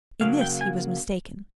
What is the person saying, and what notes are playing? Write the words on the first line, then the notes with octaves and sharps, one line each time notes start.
In this he was mistaken.
C#3 F#3 A#3 F5
G5
G#5